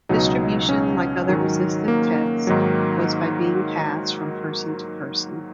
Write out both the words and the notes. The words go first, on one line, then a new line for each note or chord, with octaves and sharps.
Distribution, like other Resistance texts, was by being passed from person to person.
C#2 B2 F#3 D#4
C#4
G#2 D#3 F#3
A#3
G#2 D#3 F#3